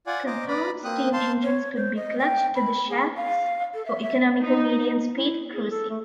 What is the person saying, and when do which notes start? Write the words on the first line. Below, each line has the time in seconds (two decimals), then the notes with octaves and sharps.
Compound steam engines could be clutched to the shafts for economical medium-speed cruising.
0.07 F4 D5 F#5 G#5
0.27 C5 D#5 A#5 D6
0.48 B4 D5 A#5 B5
0.84 A#3 C4 D#6 F#6
1.13 C5 F5 A5 C6
1.43 C#5
1.76 C5
1.96 D#5
2.19 G5
2.55 B5
2.89 G#4
3.16 F5
3.74 A4
3.86 E5
4.02 E5
4.40 D#4
5.17 E4
5.54 G#4
5.71 A4
5.90 A3